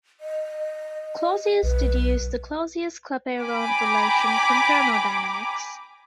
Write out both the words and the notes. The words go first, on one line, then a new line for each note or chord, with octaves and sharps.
Clausius deduced the Clausius-Clapeyron relation from thermodynamics.
D#5
B1 B4
G5 G#5 A#5 B5 D6